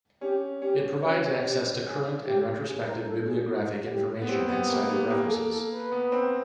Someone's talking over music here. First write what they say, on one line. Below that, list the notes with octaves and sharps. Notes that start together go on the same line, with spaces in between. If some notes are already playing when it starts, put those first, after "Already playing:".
It provides access to current and retrospective bibliographic information and cited references.
C#4 G4
C#4 G4
C#4 F#4
G4
G#4
G4
G#4
A#4
A4
G#4
F#4
G4
B3
C4 G4
B3 G4
A#3 G4
B3 G4
A#3 G4
G#4
A4
A4
B4
B3
C4